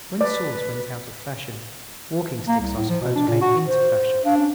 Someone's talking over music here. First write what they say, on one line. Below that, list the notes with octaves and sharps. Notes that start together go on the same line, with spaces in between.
When swords went out of fashion, walking-sticks, I suppose, came into fashion.
B4 D5
A#3
C2
A2
F3
B2
D4
A#2
F#4
C5
D4 F5
C#4